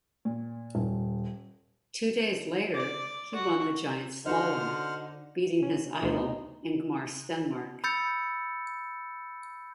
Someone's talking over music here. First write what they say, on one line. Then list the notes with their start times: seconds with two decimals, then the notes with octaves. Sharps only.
Two days later he won the giant slalom, beating his idol, Ingemar Stenmark.
0.25 A#2
0.75 D#1
2.75 D5
3.35 F#4
4.26 D3 D#4 F#4 C5 F#5 F6
5.63 C#4
6.02 D2 B2 D3 D#4
7.84 B5 E6 G6 A6 C#7